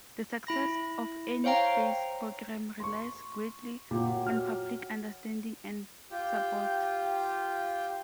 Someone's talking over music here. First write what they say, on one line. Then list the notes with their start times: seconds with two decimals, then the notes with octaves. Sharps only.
The success of any space program relies greatly on public understanding and support.
0.47 E4 B5 A#6
1.44 C5 C#5 F5 G5 A#5
2.80 C6 C#6
3.91 A#2 F#3 G4
4.26 F6
6.11 F4 G4 G5